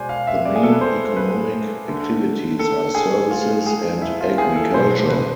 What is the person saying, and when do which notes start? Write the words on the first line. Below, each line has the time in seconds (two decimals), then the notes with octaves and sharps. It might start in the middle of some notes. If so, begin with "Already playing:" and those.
The main economic activities are services, and agriculture.
Already playing: B2 G#3 C5 D5 G#5
0.09 F5
0.27 E5
0.45 D5
0.56 G#4
0.63 A4
0.72 B4
0.81 C5
1.16 B4
1.88 D3 A3
2.59 A4
2.95 G#4
3.31 F4
3.66 G#4
4.02 E4
4.21 F4
4.38 G#4
4.56 A4
4.74 B2 A3 C5
5.09 B4